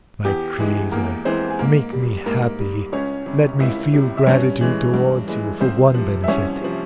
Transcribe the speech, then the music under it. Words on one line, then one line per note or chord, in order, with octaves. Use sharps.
My creator, make me happy; let me feel gratitude towards you for one benefit!
E2 G4
E3 G#3
E2 A#3 A#4
E3 G#3 C4 C5
G#4
G#2 A#3 A#4
G3
G#2 A#3 A#4
G3
C#2 C#4 C#5
C3 G3
C#2 E4 E5
C3 G3
E5
G2 C#4 C#5
E3 G#3
G2
E3 G#3
C2 C4 C5
C3 F3
E5
C2 C#4 C#5
C3 F3